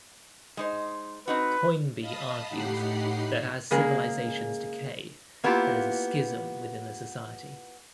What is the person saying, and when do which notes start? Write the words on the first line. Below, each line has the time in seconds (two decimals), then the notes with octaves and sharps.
Toynbee argues that as civilizations decay, there is a "schism" within the society.
0.57 G#3 D#4 C5
1.28 C4 D#4 F#4 B4
2.01 D#5 F5 A5 B5 D#6
2.49 A2 D#4 G4 F#5 B5 C7
3.71 C#3 G#3 A#3 G#4
5.44 A#3 B3 E4 F4 G4